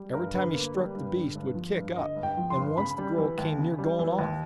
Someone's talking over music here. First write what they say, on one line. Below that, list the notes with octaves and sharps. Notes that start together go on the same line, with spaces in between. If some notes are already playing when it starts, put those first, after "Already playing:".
Every time he struck, the beast would kick up and once the girl came near going off.
Already playing: G3
G2 A#4
D3 B4
A#3
G3
G2
D3
G2
F3
G2
D3 D#5
G2
G5
F3
C6
G2
C#3 B5
G3
E3
D#2
C#3
G3
E3
D#2